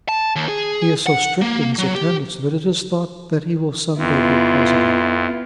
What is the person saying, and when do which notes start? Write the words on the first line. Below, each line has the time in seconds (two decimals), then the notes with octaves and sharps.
He is so strict in his attendance that it is thought that he will some day be president.
0.09 A5
0.36 D#2
0.48 G#4
1.07 F#5
1.41 A#3
1.78 F#3
1.95 G4
3.98 F2 B3 E4 F4